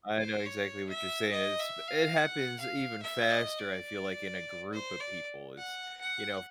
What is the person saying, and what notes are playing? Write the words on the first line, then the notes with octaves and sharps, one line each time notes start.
I know exactly what you're saying. It's b it happens even faster, I feel like, in a group of people. It's you know, if
C5
C#5
E5
D#5
E5
F5
F#5
F5
E5
D#5
D5
C5
D5
F#5
F#5